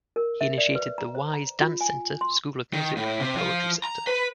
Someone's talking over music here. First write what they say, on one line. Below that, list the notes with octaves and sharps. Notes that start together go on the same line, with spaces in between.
He initiated the Y's dance center, School of Music and poetry center.
A#4
E5
D5
B4
A#5
C5
A#5
F4
G#5
C6
D#3
A2
C3
F3
A#5
B4